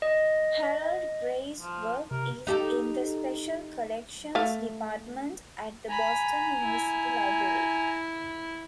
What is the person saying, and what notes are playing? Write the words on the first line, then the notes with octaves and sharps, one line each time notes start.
Harold Gray's work is in the Special Collections Department at the Boston University Library.
D#5
F3
C3 A#4
D#4 G4 A4
A3 F5
G#5 A#5 B5
E4